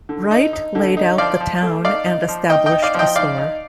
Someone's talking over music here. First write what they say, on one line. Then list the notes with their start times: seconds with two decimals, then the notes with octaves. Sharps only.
Wright laid out the town and established a store.
0.09 D3
0.31 D#4
0.53 D#4
0.75 D3
0.97 D#4
1.18 F3 D5 F5
1.41 F3
1.62 A3
1.85 D#4 D5 F5
2.06 D#4
2.28 F3
2.50 D#4 D#5 G5
2.66 D#5 G5
2.72 D#4
2.82 D5 F5
2.95 F3 D#5 G5
3.16 D#4 D5 F5
3.38 D#4